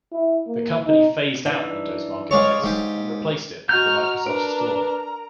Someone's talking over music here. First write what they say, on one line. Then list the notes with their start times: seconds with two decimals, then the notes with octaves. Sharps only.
The company phased-out Windows Marketplace, and replaced it with the Microsoft Store.
0.12 E4
0.47 A#3
0.85 D#4
1.45 E3 D4 D#4
2.31 G#3 C#5 D5 F5 C#6
2.63 G#2 G4
3.69 F#4 D#5 F#5 A#5 F6 G6
4.26 D4 A#4 B4